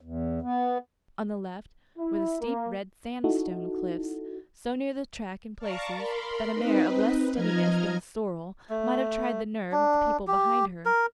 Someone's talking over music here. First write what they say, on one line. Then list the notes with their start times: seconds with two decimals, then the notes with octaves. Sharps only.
On the left were the steep red sandstone cliffs, so near the track in places that a mare of less steadiness than the sorrel might have tried the nerves of the people behind her.
0.01 E2
0.42 B3
1.98 E4
2.41 A#3
3.24 D#4 E4 F#4 A4
5.58 D5 F5 A5 A#5 C#6 D6
5.94 A#4 B5 C6
6.52 C4 D#4 B4
7.33 F3 D#5 A#5 F6 G#6
8.70 A3
9.72 D4
10.27 G4
10.86 A#4